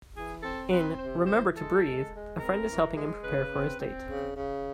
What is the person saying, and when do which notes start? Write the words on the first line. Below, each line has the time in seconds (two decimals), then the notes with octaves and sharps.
In "Remember to Breathe", a friend is helping him prepare for his date.
0.14 E3 G#4
0.43 C4 A4
0.71 C4 B4
0.99 C3 C5
1.27 E3 C5
1.55 G#3 A4
1.83 G#3
2.12 G#3
2.39 C4 A#4
2.67 E3
2.95 G#3
3.23 C#3 B4
3.52 C4
3.80 C4
4.08 C#3
4.36 C#3